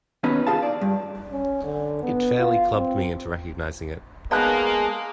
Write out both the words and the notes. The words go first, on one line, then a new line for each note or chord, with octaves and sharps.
It fairly clubbed me into recognizing it.
D#2 B2 C#4 D#4 B4 B5
D#4 F4 G#4 F5 A5
D5
G2
C#4
D3
B3
F4
C4
G#3 A#3 B3 D5 D#5 F5 A5 F#6